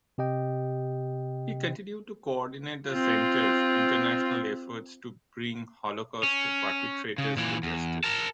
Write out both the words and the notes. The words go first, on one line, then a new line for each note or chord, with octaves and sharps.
He continued to coordinate the center's international efforts to bring Holocaust perpetrators to justice.
C3 G4 D#5 G5
C4 F4
C#4
C#3
A#2 E3
E2
A#4 A5